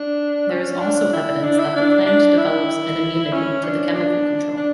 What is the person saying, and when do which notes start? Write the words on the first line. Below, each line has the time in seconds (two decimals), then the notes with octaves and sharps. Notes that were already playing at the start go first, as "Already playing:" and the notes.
There is also evidence that the plant develops an immunity to the chemical control.
Already playing: D4
0.50 C#4
0.80 D4
1.13 E4
1.43 D4
1.59 E4
1.76 D4
2.06 D4
2.37 E4
3.32 C#4
3.64 D4
3.95 D4
4.57 D4